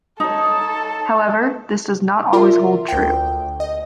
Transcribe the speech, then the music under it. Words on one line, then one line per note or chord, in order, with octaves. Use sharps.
However, this does not always hold true.
D#4 A4 C#5
F4 A#4 D5 E5 C6
D2 G5
D#5